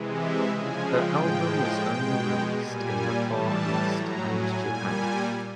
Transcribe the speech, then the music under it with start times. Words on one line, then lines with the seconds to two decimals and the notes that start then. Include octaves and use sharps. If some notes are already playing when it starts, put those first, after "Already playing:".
The album was only released in the Far East and Japan.
Already playing: C3 E3 G#3
0.16 E5
0.51 C#3 F3 G#3 G#5
0.85 G5
1.18 A2 F3 G#3
1.87 B2 G#3
2.55 A#2 G3 G#5
3.24 A2 E3 G3 A5
3.91 A2 F#3 A#5
4.26 G#5
4.60 A#2 G3 G#5